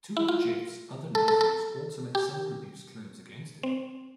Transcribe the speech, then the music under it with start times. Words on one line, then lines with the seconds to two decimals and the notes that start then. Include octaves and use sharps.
Two of Jeffs' other nephews also made similar abuse claims against him.
0.17 E4
0.28 F4
1.15 A4
1.28 A4
1.41 A4
2.15 G4
3.63 C4